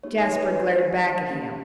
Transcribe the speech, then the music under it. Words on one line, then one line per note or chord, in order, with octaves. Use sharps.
Jasper glared back at him.
A#3 D#4 G4 C#5
C#5
B4
B4
A#3 C#4 G4